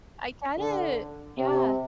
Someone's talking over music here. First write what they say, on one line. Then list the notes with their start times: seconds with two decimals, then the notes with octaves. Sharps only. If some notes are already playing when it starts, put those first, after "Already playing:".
I get it. Yeah.
0.57 D3
1.37 C3